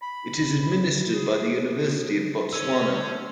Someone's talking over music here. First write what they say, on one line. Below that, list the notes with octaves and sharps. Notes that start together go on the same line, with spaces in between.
It is administered by the University of Botswana.
B5
G#4
D3 C#4 C5 E6